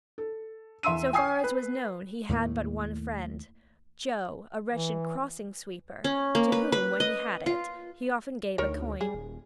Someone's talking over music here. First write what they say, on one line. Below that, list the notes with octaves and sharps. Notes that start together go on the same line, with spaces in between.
So far as was known, he had but one friend--Joe, a wretched crossing sweeper, to whom, when he had it, he often gave a coin.
A4
E2 E5 C6 E6 D#7
G5 G#5 D#6 C7
B4
D#2 A2 A3 A#3
E3
C#4
A#3
B4
B4
D#5
F4
D2 D#3 A#4 C#5
G3 G#4
D#1